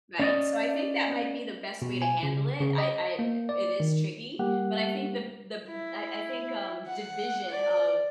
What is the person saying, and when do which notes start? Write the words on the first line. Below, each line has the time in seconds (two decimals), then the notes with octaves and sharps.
Right, so I think that might be the best way to handle it, I I it is tricky, but I think the the I I think, um, division of
0.19 C#4 D5 D#5
1.82 B2
2.02 G#5
2.23 C#3
2.61 C#3
2.78 D#5
3.19 A#3
3.49 D5
3.80 D#3
4.39 G3 A#3 G4 F#5
5.69 E4
6.87 F#5
7.50 D5